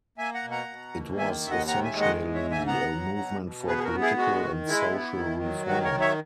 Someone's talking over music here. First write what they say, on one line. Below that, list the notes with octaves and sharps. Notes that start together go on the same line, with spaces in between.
It was essentially a movement for political and social reform.
A#3 E5 G#5
F#5 A#5
B2
F#5 A#5
B2
A#3
D#3 E5 G#5
D#2 E5
D#5 F#5
D#3 F#5 A#5
E5 G#5
G#3
D#5 F#5
G#2
C#5 E5
G#2
E5 G#5
B3 F#5 A#5
F#3
B2
B2
B3 G#4 B4
G#4
F#4 A#4
B3
E4 G#4
G#3 F#4
D#3
G#3 E4
B3
D#3
F#3
D#3 F#4
A#4 C#5
F#3
C#5 E5